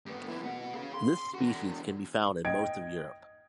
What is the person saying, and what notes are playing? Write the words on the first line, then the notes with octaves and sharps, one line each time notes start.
This species can be found in most of Europe.
G2 B3
F2 E4
B3 F#4
G#4 F5
C6
E2 F#4
D#5 G5 G#6 D7